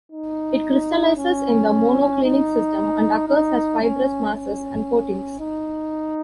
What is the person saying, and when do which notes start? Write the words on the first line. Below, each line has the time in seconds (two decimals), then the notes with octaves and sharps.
It crystallizes in the monoclinic system and occurs as fibrous masses and coatings.
0.12 D#4
1.17 C#4
2.24 D#4
3.28 D#4
3.81 C#4
4.34 C#4
5.39 D#4